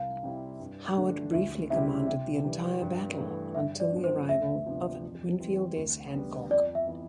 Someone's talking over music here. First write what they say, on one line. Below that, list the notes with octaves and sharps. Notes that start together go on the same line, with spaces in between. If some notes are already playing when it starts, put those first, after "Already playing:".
Howard briefly commanded the entire battle until the arrival of Winfield S. Hancock.
Already playing: C2 F5
C3 G3 C4 E4
G2
D3 A3 D4
D2 E5
C3 G3 C4 E4 E5
C3 E5
E3 G3
G2
E3 A3
G2 E5
D5
F3 B3 D4
C5
D2 E5
C3 F3 B3 D4
F2
E3 G3 C4
D2
D3 G3 B3
F2 D5
E5
E3 B3 E4